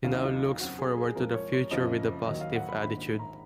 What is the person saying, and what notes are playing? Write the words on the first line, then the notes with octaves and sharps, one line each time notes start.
He now looks forward to the future with a positive attitude.
D#2 C#3 F#3 F4
D#4
F4
F2 C#3 F#3 F#4
G#4
G#4
F2 F3 G#3 A#4
C#5
C#5
F#1 F2 C#3 F3 D#5
D#2 D#3 F#3 D#5
F5
F#5
B5
A#1 G#2 D#3 B5
A#5